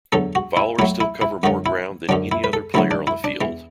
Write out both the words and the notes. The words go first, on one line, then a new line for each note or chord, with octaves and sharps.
Followers still cover more ground than any other player on the field.
E2 D3 F#3 A4
F#4
E4
A2 F#3 E4
E4
E4
F#2 D3 F#3 F#4
E4
F#2 D3 F#3 D4
E4
B4
A4
D2 D3 F#3 E4
D4
E4
D4
E2 E3